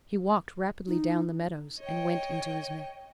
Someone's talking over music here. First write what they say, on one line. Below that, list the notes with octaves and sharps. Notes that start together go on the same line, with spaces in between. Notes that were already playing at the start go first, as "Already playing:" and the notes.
He walked rapidly down the meadows, and went into his mill.
D#4
C#5 D#5 G5